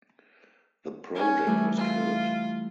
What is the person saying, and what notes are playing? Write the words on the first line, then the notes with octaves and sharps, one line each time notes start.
The project was killed.
C#4
E3 G3 A3
F4